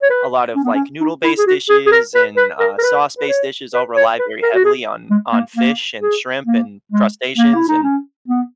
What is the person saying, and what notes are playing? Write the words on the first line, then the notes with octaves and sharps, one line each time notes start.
a lot of, like, noodle-based dishes and, uh, sauce-based dishes all rely very heavily on on fish, and shrimp, and crustaceans, and,
C#5
B4
C#4
B3
C#4
D#4
E4
G#4
F#4
G#4
G#4
A#4
B4
B4
A#4
A#4
B4
B4
C#5
B4
C#5
B4
A#4
F#4
G#4
G#3
A#3
A#3
G#4
A#3
G#3
A#3
E4
D#4
C#4
B3